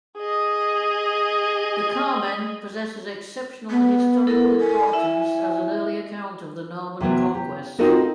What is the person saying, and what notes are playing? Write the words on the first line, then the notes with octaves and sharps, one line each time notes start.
The "Carmen" possesses exceptional historical importance as an early account of the Norman Conquest.
G#4 D#5
B3
B3 E4 A4 A#4
G#5
E4 E5
C3 E3 F#3 B3
G4
C4 D#4 F4 F#4 A4 A#4